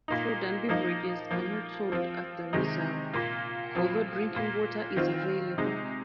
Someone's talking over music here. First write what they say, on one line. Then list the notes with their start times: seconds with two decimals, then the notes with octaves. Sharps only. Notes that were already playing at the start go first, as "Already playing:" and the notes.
Food and beverages are not sold at the reserve, although drinking water is available.
0.08 A#2 A#3 D#4
0.69 F3 A#3 D#4
1.31 F3 A#3 F4
1.92 F3 C4 F4
2.53 C3 D#3 G#3 D#4
3.13 A#2 A#3 F4
3.75 A#2 F3 C4 F4
4.35 A#2 A#3 F4
4.96 D#3 C4 F4
5.58 C3 G#3 D#4